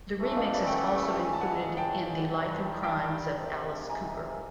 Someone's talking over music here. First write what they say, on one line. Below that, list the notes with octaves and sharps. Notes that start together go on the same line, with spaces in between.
The remix is also included in "The Life and Crimes of Alice Cooper".
G2 E3 A3 C#4
D#5 F5
D#5
D5 E5
G5
F#5 G#5
E2 C#3 E3 G#3 G#5
A5
F#5 G#5
G5 A5
G2 D#3 G3
G5 A5
F2 C3 D#3 G#3
G#5 A#5